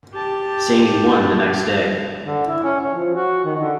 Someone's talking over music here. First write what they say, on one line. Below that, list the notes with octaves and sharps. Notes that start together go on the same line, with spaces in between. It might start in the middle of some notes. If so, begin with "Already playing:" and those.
Sain won the next day.
G4 A5
D3
E4
C#4
C#4
F3
F#4
D#3
D3